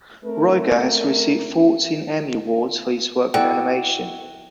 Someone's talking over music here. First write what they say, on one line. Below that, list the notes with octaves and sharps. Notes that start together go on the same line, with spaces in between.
Ruegger has received fourteen Emmy Awards for his work in animation.
A3 C4 A#4
E4 F#4 A4 D5 G5